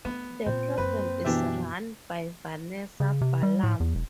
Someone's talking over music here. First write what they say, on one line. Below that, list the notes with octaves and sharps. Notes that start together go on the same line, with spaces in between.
The program is run by Vanessa Ballam.
A3 B3
A#2 C4
F#2 A#3 B4
B2 E3 D4 G4 E5
C#3
C3
G3
A2
E2
E1